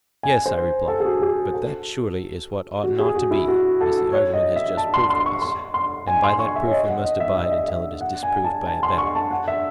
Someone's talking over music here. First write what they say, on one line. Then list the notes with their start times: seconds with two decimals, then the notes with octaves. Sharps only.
Yes, I replied; but that surely is what ought not to be, as the argument has just proved to us; and by that proof we must abide until it is disproved by a better.
0.23 G#5
0.46 C5
0.88 A4
1.00 G#4
1.05 F#4
1.21 G#4
1.54 A4
2.83 F#4
2.99 G#4
3.15 F#4
3.31 E4
3.48 F#4
3.81 A4
4.12 C#5
4.34 D#5
4.56 E5
4.77 A5
4.94 C6
5.10 C6
5.26 C#6
5.42 C6
5.74 C6
6.07 G#5
6.24 C6
6.39 C#6
6.56 E5
6.67 C#5
6.71 D#5
6.89 F#5
7.04 D#5
7.20 E5
7.37 E5
7.44 D#5
7.51 E5
7.68 E5
8.01 F#5
8.23 G#5
8.44 A5
8.67 A5
8.83 C6
8.98 C#6
9.15 A5
9.31 F#5
9.48 E5